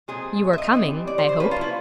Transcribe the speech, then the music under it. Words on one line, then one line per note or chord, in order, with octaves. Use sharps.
'You are coming, I hope?'
A#2 F3 G#3 C4 G#4
E5
D#5
E3 G3 C4
D5
C5
C5
F3 A#3 C#4 B4
F4
E4